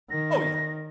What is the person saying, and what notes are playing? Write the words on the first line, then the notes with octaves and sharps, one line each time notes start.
Oh, yeah.
D#3 A#6